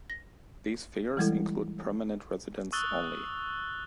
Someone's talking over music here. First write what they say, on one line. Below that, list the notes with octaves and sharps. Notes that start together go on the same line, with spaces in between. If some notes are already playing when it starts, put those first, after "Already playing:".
These figures include permanent residents only.
A#6
E3 G3 G#3 E4 A4
C#6 D#6 E6 F#6 A6 G7